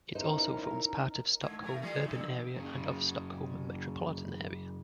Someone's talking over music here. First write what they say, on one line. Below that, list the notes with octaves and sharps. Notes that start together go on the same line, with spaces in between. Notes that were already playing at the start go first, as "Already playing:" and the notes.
It also forms part of Stockholm urban area and of Stockholm Metropolitan Area.
C#4 D#4 E4 A#4 C5 D#5 A#5
G#2 D#3
E3 A3 A#4
E3 G3 A3
C#3 G3 D#4
F#2 C#3